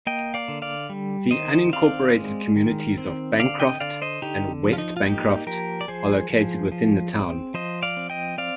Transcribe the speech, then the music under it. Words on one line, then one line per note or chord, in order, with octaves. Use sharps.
The unincorporated communities of Bancroft and West Bancroft are located within the town.
A#3 D#5 G5
D5 F5
D3
D5 F5
G3
D#3 C5 D#5
C4 D5 F5
G#3
D#3
C4
D3 D5 F5
D#5 G5
D3 D5 F5
C5 D#5
D3 D#4 G4
F3
F4
D#4
F4
A#3 D#4 G4
F3 G4 A#4
D5
F3 G#4 C5
F3
F3
C4
F3 C5 D#5
D5 F5
C4
D#5 G5
C4 D5 F5